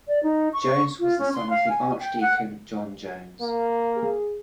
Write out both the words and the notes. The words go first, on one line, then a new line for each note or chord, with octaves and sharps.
Jones was the son of the Archdeacon John Jones.
D5
D#4
C#6
F4
C#4
C6
F5
G#5
G5
F#5
A#3
G#4